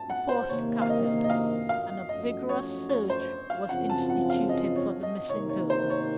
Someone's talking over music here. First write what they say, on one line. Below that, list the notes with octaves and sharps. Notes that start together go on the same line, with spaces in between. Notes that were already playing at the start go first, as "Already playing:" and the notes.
The four scattered, and a vigorous search was instituted for the missing girl.
Already playing: A5
F#5
C5
C3 D#3 A#3 C#5
F5
D#5
D#5
F5
F5
F#2 F3 A3 C#4 F#4 D#5
C#5
C#5
C5
F5
F#2 C#3 F3 C4 F4 F#5
A5
F#5
F5
D#5
C#5
D#5
C3 D#3 A#3 D#4 C#5
C#5
C5
C#5